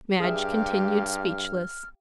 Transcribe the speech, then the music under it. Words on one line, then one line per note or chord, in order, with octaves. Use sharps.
Madge continued speechless.
G2 G4 G#4 E5 F5 F6